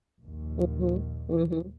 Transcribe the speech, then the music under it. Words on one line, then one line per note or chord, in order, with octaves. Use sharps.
Mhm, mhm.
A#1 D#2